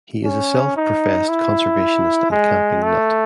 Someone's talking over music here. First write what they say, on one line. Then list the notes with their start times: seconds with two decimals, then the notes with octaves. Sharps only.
He is a self-professed conservationist and camping nut.
0.25 C#4
0.77 D#4
1.29 E4
2.31 G#3
2.83 A3